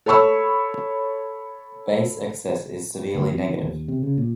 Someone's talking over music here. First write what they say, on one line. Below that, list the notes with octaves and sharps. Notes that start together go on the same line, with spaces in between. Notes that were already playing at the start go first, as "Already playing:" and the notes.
Base excess is severely negative.
A4 C#5 B5 C#6 E6
D2
F2
D#3
D#2
C3
C#3
A#2